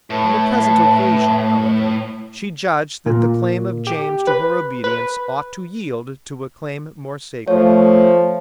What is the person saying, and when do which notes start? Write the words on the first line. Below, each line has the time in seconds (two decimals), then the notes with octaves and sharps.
On the present occasion, however, she judged that the claim of James to her obedience ought to yield to a claim more sacred.
0.10 A2 B4 A5
3.06 A#2
3.87 G4
4.27 B4
4.84 B4
7.48 F3 A3 C#5